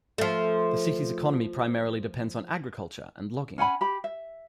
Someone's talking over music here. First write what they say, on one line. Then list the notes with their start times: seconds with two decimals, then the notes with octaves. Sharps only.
The city's economy primarily depends on agriculture and logging.
0.18 F3 A3
3.58 C#4 F#5 G#5 B5
3.81 G4 B5
4.04 E5